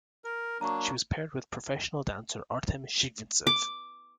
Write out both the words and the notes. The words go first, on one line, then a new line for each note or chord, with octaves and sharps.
She was paired with professional dancer Artem Chigvintsev.
A#4
F#3 A#3 D4 A#5 C#6
D6